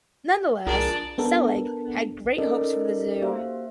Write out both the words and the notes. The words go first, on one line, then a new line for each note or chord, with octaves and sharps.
Nonetheless, Selig had great hopes for the zoo.
C2 D4 F4 G#4 A#4 D5
B3 D4 A4 A#4
C#4 D#4 A4 A#4 D5 D#5
A#3 F#4 G4 C5 E5 F5